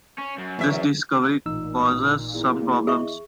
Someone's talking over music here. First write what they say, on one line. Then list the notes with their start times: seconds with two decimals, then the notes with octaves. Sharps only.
This discovery causes some problems.
0.18 C#4
0.38 F#2
0.59 E2 E5
1.46 A1 A#2 D#4 E6
2.34 E2
2.62 A#3
2.87 G#4 D#5 E5 C#6